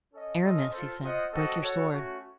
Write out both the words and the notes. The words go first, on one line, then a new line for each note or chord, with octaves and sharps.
"Aramis," he said, "break your sword."
C#4 A4 D#5
C#4 F4 A4 D#5
F4 A4 C5
F4 C5 D#5 F#5
C4 F#4 A4 D#5 F#5
F#4 A4 C#5
A3 C#4 F#4